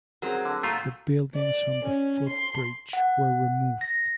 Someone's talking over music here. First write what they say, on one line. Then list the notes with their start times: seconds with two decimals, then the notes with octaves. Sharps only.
The buildings on the footbridge were removed.
0.22 F#3 C4 G#4 A#4
0.45 D3
0.63 A#2 F#3 A3 F4 A#5
1.34 D5
1.84 C#4
2.28 C6
2.93 F#5
3.81 A#6